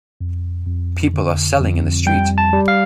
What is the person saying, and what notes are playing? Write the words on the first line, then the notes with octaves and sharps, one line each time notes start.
People are selling in the street.
F2
F2
D3
F2
G3 G5
A5
G3
F5